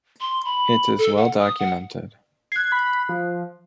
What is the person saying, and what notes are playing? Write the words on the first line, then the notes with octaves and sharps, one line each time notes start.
It is well documented.
C6
B5
A4
F#5
D#6
F#5
F#6 G#6 C7
B5
F3